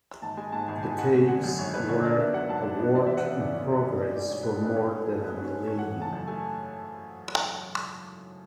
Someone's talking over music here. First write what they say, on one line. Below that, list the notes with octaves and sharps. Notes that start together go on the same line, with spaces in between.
The caves were a work in progress for more than a millennium.
G#1 A5
G#3 G#5
G#2 A5
G#1 G#5
G#1 G#5
G#3 F#5
A3 G#5
D3 F#5
F#2 G#5
G#1 C#5
A3 B4
D3 C#5
D4 D5
B3 E5
F#3 F#5
G#2 A5
D4
B3
E2 D5
F#3 E5
F#5
C#3 E5
E2 D5
E2 C#5
A4
F#3 B4
D4 C#5
G#3 D5
A2 D5
B1 C#5
D4 B4
A4
G#3 B4
G#2 C#5
C#4 G#5
B4
F#3 A4
G#2 B4
G#2
C#5
C#4
A3 C#5
E3 F#5
G#5
C#3 A5
F#2
A3 G#5